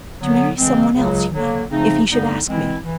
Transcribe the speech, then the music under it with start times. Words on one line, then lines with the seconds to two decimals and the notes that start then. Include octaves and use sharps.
"To marry some one else, you mean--if he should ask me?"
0.20 D3 F#3 B3
0.57 C#3 E3 G#3 C4
0.95 C#2 C#3 F#3
1.32 D3 F#3 A#3
1.70 C#3 F3 A3 C4 D#4
2.08 G2 D3 G3 B3 D#4
2.45 E3 G#3 C4 E4
2.83 E3